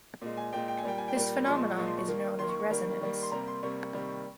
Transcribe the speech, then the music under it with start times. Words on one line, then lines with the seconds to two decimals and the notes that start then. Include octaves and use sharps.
This phenomenon is known as resonance.
0.22 A#2 G#3
0.37 G#5
0.53 A#2 G#3 G5
0.68 G5
0.78 G#5
0.83 A#2 G3 A#3 G5
0.98 G#5
1.08 G5
1.15 A#2 G3 A#3
1.46 A#2 F3 G#3 C6
1.61 C#6
1.77 A#2 F3 G#3 C#6
1.87 C6
1.98 C#6
2.08 D#3 A#3
2.39 D#3 A#3 C6
2.49 C#6
2.60 C#6
2.70 D#3 G3 A#3
3.01 D#3 G3 A#3
3.23 C6
3.31 C3 G3 A#3 A#5
3.48 C6
3.63 C3 G3 A#3 C#6
3.93 C3 D#3 G3 A#3